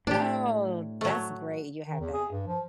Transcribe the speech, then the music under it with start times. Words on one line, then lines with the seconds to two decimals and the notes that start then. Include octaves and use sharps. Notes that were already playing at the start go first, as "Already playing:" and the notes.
Oh, that's great you have that.
0.07 A2 D4 G4
1.01 F#3 A3
1.87 D#3
2.00 E2
2.14 G#4
2.31 G2
2.47 F3